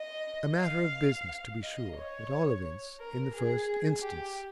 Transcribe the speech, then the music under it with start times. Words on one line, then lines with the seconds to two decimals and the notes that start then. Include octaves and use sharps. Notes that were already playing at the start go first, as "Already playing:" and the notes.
A matter of business, to be sure--at all events in the first instance.
Already playing: D#5
0.60 F5
1.62 D#5
1.97 C#5
2.99 A#4
3.33 G#4
4.02 G4